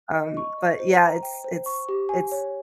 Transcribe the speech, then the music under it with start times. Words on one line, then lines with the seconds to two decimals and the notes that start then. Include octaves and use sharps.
um, but yeah, it's it's it's
0.15 D#5
0.37 C#6
0.58 D#5
0.79 C5
1.02 A#5
1.23 G5
1.44 C5
1.66 C#6
1.89 G4
2.09 G#5
2.32 C#5